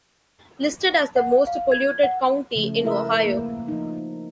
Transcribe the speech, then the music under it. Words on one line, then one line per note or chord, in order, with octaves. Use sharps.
Listed as the most polluted county in Ohio.
F#5
F5
G#6
F#5
C#3 F3 A3
A3 E4 A#4 B4 E5
A#3
F3 D#4